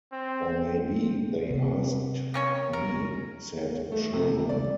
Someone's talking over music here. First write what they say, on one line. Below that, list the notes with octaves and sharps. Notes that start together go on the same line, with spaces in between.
Or maybe they asked me, said Shulman.
C4
C3
A#3 C#4 C#5
A#4
A3
C3
A3
D5